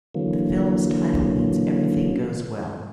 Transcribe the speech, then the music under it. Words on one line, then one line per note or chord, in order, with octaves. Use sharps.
The film's title means everything goes well.
D3 E3 F#3 A#3